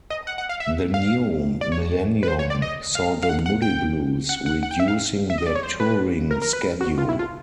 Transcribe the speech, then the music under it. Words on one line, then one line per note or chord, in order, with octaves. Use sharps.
The new millennium saw the Moody Blues reducing their touring schedule.
D#5
F#5
F#5
F5
E5
F5
D5
C#5
B4
C5
C#5
D5
D#5
F5
F5
F#5
F#5
G5
F#5
F#5
F#5
G5
E5
F5
E5
D#5
D5
C#5
C5
B4
A#4
A#4
B4
F#4
F4
E4
F4